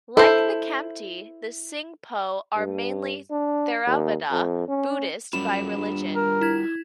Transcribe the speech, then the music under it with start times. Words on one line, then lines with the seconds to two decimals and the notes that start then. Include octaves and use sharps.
Like the Khampti, the Singpho are mainly Theravada Buddhist by religion.
0.17 E4 A4 C5
2.57 G2
3.31 D4
3.87 D#2
4.31 F2
4.68 C#4
5.33 F#2 G3 F4 B5 E7
5.77 G2
6.15 A#4
6.41 E4 G#6